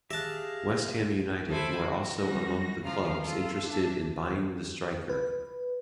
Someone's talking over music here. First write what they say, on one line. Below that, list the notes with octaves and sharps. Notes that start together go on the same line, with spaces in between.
West Ham United were also among the clubs interested in buying the striker.
G4 G#4 E5 F5 A5 F#6 A#6
A4 C5 E5 G#5 B5 D6
F#4
G3 C#4 F#4 A#6
C#3 F3 C#4 F4 F5 A#5
F4 A4
D4 E5 A5
B4